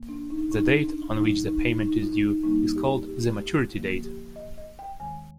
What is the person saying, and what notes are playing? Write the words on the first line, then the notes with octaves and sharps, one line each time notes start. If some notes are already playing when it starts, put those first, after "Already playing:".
The date on which the payment is due is called the maturity date.
Already playing: G2 D#3 A#3
D4
D#4
D#4
D4
D2 C3 F3 G#3 D#4
D#4
D#4
F4
D#4
D2 C3 G3 A#3 D#4
G4
G4
G4
D#2 D3 F3 A#3 F4
G4
D#5
D#5
G5
D#2 D#3 G#3 G#5